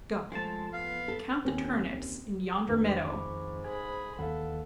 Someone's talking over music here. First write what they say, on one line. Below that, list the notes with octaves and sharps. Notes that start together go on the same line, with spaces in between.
Go! count the turnips in yonder meadow.
F3 G#3 A3 F4 A5
B3 F5
A4
D#2 C4 C#4
F2 B2 D#3 D4
G#2 B5 C#6 D6
G#4 C5 G#5 B5 G#6
D#2 E3 A4 F5 F#5